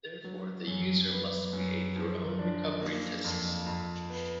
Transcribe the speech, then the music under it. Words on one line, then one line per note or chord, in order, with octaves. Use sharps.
Therefore, the user must create their own recovery disks.
F#3
F#2
B3
F#2
F3
D4
A#3
F2
F2
B3